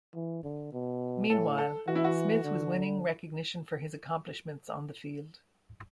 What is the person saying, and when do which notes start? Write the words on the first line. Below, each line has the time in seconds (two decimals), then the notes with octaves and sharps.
Meanwhile, Smith was winning recognition for his accomplishments on the field.
0.15 E3
0.43 D3
0.73 B2
1.30 A2 A4
1.58 A4
1.87 E3 F#4
1.95 E4
2.04 F#4
2.44 D3